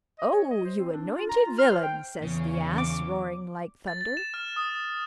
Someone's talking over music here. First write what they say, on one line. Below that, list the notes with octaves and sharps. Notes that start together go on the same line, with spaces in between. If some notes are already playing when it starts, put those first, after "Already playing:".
"Oh, you anointed villain!" says the ass, roaring like thunder.
D#5
C#5
D#5
C5
C4
D4
F4
A#5
F4
F6
C5
G5
E2 C#3
D6
A6
A6
E7
F6
D#6